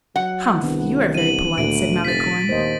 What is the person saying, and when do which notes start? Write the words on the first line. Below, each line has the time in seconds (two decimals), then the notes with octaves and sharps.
"Humph! you are very polite!" said Malicorne.
0.16 F#3 F#5
0.63 C2 D#3 B3 D4
1.14 D#7 F#7
1.58 D2 A#2 D7
2.05 F1 A6 B6
2.49 D#2 C5 D#5